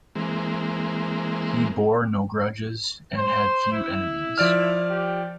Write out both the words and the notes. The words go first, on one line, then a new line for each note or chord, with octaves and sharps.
He bore no grudges and had few enemies.
E3 G#3 A#3 C4
C5
E4
F3 D5 F6
G4